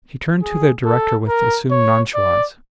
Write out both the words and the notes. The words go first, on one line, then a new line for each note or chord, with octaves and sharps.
He turned to the director with assumed nonchalance.
G#4
A4
A#4
C#5
D5